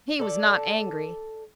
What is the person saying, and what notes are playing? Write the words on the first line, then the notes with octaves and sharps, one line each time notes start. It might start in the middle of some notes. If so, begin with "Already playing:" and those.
He was not angry.
A4 D5